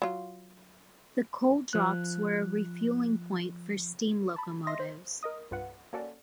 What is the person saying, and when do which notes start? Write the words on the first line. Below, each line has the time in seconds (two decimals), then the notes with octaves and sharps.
The coal drops were a refuelling point for steam locomotives.
0.02 F#3 F4
1.73 F3 F#6
4.36 A5 B5
4.67 D#5 E5 C6 A#6
4.80 C5
5.23 A#4 D#5 D#6
5.51 C2 G2 F4 B4 F#5
5.93 A#3 C#4 F#4 A4 D5